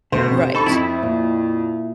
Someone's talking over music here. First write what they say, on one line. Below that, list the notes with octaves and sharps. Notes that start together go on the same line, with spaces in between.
R right.
B2 D3 A3 C5
C3
D#4 A4 A5 B5 C#6
F2 C4 E4
A#2